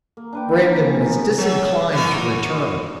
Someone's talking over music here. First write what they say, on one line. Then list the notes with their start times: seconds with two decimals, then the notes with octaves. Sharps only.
Brandon was disinclined to return.
0.17 A#3
0.33 D4 B4 G5
0.58 A#3
0.77 C#4
0.93 G#4 A#4 E5
1.13 B2
1.38 F#3
1.93 E3 F#4 A#4